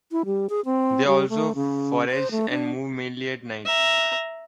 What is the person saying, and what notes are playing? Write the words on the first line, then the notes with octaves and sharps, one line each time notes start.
They also forage and move mainly at night.
E4
G3
G#4
C4
G3
A3
C#3
C5
A3
D4
E5 A#5